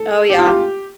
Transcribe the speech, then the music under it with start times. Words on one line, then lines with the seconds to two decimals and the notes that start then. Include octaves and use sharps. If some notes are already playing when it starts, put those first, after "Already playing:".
Oh, yeah.
Already playing: A4
0.30 G4
0.38 F4
0.46 G4